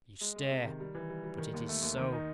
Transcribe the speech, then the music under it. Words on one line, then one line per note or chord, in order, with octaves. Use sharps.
You stare. But it is so.
G#3
G#3
C3
D#3
G3
E3
G3
G3
D#3
D#2
A3
D#2
D#3
D#4